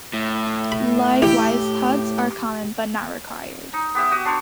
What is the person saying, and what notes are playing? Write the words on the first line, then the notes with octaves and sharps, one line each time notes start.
Likewise, hugs are common but not required.
A2
B5
A1 G4
D#4
B3 G4 E5
F#4 D#6
D4 C5 C#5